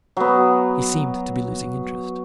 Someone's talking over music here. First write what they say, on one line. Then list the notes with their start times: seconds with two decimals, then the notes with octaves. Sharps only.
He seemed to be losing interest.
0.17 F#3 B3